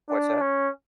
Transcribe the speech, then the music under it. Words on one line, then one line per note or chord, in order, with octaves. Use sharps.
What's that?
D4
C#4